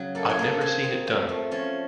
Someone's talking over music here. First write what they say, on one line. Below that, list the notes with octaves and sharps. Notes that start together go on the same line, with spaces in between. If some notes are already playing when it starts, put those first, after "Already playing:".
I've never seen it done.
Already playing: C#3 F#3
A#3 A4
G#4
A#3 A4
C4 G#4
C4
F3
A3
F3 C#4